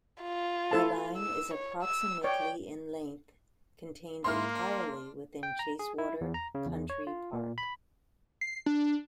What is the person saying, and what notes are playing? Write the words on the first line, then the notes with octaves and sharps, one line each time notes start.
The line is approximately in length, contained entirely within Chasewater Country Park.
F4
E4 A4 A5
E6
C#5
E6
C#5 D5 G5
G#2 A#3 C#4 E4 C6 F6
D4
G5
A#5
G#4
E4
E2
A#5
C#3
E2
C#5
F4
A#2
B5
C7
D4